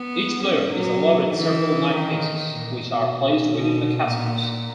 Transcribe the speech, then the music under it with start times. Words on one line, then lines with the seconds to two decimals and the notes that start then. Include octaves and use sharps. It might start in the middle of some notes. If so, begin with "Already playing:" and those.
Each player is allotted several knight pieces, which are placed within the castles.
Already playing: B3
0.44 C#4
0.74 F#3
1.34 E3
1.94 D#3
2.55 A#2
2.86 B2
3.46 B2
4.06 A#2